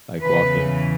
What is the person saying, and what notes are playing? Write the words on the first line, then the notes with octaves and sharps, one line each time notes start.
like walking.
E2 C#3 E3 B4